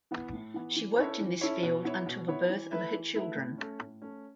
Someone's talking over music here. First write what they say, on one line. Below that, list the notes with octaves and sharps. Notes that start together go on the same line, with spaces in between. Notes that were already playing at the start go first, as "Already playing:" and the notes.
She worked in this field until the birth of her children.
E3 B3
A2
E3 B3
E3
C#4 E4 A4 C#5
E3
C#4 E4 A4 C#5
B2
B3 E4 C#5
B2
B3 E4 C#5
E3
A3 E4 B4 E5
E3
A3 E4 B4 E5
A2
A3 C#4
A2
A3 C#4